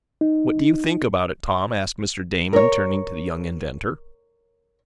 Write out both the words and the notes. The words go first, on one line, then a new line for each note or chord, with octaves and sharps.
"What do you think about it, Tom?" asked Mr. Damon, turning to the young inventor.
D#4
A#4 C#5